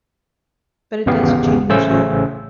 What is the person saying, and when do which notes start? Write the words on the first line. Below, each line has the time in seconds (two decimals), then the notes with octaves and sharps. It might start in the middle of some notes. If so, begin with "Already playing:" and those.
But it does change you.
1.06 G#1 E2 C#3 B3 G4 F5
1.69 A1 C#3 A3 C#4 C5 E6